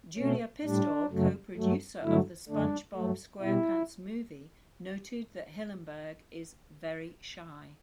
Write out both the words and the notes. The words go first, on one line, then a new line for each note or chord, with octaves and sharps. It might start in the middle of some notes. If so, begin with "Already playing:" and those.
Julia Pistor, co-producer of "The SpongeBob SquarePants Movie", noted that Hillenburg is "very shy".
B2 A3 C#4
A2 G3 D4
F#2 C#3 F#3 A3
G2 F#3 A3
G2 D3 F#3 A3 E4
F#2 D3 A3 D4
G2 F#3 A3
B2 G3 E4